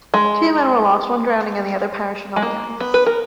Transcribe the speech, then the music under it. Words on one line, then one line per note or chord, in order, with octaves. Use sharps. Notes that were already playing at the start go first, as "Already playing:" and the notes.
Two men were lost, one drowning and the other perishing on the ice.
G#3
G#3
A#3
B3
B4
A#4